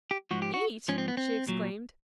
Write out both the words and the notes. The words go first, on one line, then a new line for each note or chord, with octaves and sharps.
"Eat!" she exclaimed.
G4
G#2 F3 F#4
G4
F#4
G#2 F3 C#4
C4
B3
C4
A#2 F#3